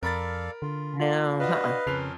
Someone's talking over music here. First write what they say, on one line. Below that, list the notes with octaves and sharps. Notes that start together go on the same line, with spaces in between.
No, uh-uh.
F2 A4 A#4 D5 F5 B5 A6
D3 F4
A#3 F4
D4 F#4 B4 D#5 F5
F2 C#3 C#4 A#4 C7 F7